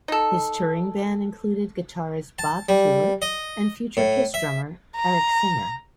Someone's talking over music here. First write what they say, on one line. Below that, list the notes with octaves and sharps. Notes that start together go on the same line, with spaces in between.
His touring band included guitarist Bob Kulick and future Kiss drummer Eric Singer.
D#4 A4
A5
G3
D#5
A2
E5
A#5